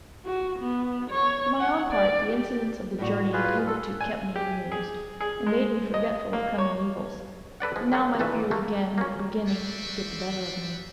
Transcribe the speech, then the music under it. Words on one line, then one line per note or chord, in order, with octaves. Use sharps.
For my own part the incidents of the journey had hitherto kept me amused, and made me forgetful of coming evils; but now my fears again were beginning to get the better of me.
F#4
B3
C#5
F#5
D5
G4
A2 G3 F#4
F4 G#4 B4
A4
G#5
G4
G#4
G#4
G#3
D#5
A#3
C#5
A4 B4 D5 F#5
F3 G#3
C#3 A#3 C#4 F#5
A#1 D#3 E3 A3 A4 B4
A3 A#3
A#3 C#4
F4 F#4 B4 C5 D5 E5